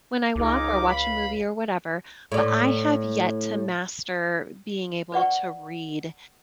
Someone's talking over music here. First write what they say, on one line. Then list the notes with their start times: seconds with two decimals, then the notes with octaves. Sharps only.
when I walk or watch a movie, or whatever, but I have yet to master being able to read
0.36 C#2 D#4 F4 G#4 D6
0.88 F5 B5
2.32 A2 D5
5.12 B4 D5 F#5 C#6